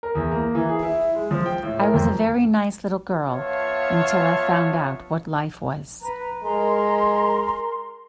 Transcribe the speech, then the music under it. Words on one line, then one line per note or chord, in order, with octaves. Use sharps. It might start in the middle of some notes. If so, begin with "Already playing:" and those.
I was a very nice little girl, until I found out what life was.
A#4
E2
A#3
E3
G#4
E4
G#3
F3
G5
A2
A#4
F2
B3 F4 C#5 E5 F5 A5
B4 A#5
G#3 A#4 A#5 C6